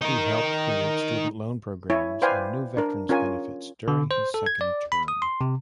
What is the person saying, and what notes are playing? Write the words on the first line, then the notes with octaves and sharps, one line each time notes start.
He helped create student loan programs and new veterans benefits during his second term.
D#4 A#4
E4 C#5 G#5
B4 C5 D5 F5 G5 G#5
D4 A#4
C#4 F4 A#4 C#5 G#5
D3
C5
A4
G#6
D5
B5
D#6
C6
C3